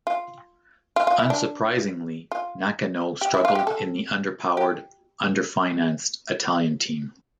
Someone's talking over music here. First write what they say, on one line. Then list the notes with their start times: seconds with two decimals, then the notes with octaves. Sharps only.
Unsurprisingly, Nakano struggled in the under-powered, under-financed Italian team.
0.07 F4
0.96 F4
1.07 F4
1.19 E4
1.30 D4
2.32 F4
3.21 G4
3.34 E4
3.45 F4
3.55 G4
3.67 A4
4.57 G4